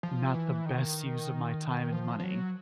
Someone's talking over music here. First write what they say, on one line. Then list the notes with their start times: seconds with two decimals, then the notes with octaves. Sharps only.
not the best use of my time and money,
0.03 F3
0.34 E3
0.66 D#3
1.92 F3
2.20 F3
2.23 F#3